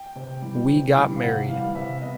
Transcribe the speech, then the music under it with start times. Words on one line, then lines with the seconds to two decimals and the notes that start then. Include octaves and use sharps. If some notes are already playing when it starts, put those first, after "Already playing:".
We got married.
Already playing: G5
0.16 C3
0.42 E3 G3
0.69 C3
0.95 E3 G3
1.16 F5
1.22 C3 F#5
1.48 E3 G3 F5
1.75 C3 E5
2.01 B3 D#5